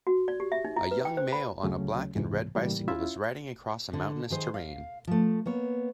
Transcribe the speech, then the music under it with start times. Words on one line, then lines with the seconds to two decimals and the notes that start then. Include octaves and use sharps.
A young male on a black and red bicycle is riding across a mountainous terrain.
0.07 F#4
0.28 D5
0.40 G4
0.52 E5
0.65 D#4
0.76 E4
0.91 B4
1.05 G5
1.17 C5
1.33 B5
1.63 D2 C#3 F#3 A3 C#4
2.15 C#2 G#2 C3 E3
2.55 A2 C#3 E3 G3 A#3
2.88 C#4 E4 F4 E5
3.93 D3
4.30 D#3 G#4 C5
4.54 F5
5.07 F3 A3
5.46 A#3 B3 C#5